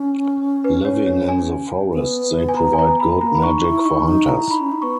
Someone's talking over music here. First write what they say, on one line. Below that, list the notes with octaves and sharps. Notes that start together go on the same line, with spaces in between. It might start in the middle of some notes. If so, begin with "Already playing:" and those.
Living in the forest, they provide good magic for hunters.
Already playing: C#4
B4
C#5
C#5
G#5
B3
G#5
A#5
G#5
A#5
B5
A#3 A#5
B5
D#4 C#6
E4 C#6
D#4 C#6
D#4
E4 A#5
D#4 B5
C#4
D#4
B3 C#6